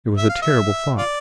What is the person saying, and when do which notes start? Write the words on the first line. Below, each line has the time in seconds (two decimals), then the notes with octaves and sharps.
It was a terrible thought.
0.17 E5
0.29 F5
0.42 E5
0.98 F4 D5